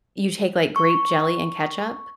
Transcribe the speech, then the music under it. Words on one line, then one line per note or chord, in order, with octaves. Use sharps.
you take, like, grape jelly and ketchup
C#6